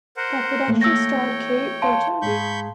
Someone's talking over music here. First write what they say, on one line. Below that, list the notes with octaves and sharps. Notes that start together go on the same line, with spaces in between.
That production starred Kate Burton.
A#4 C5 F#5
E3 A3 A#3
C#5 G5 E6 A#6
F5 A5 C6
G#2 G#4 B5 C#6 G6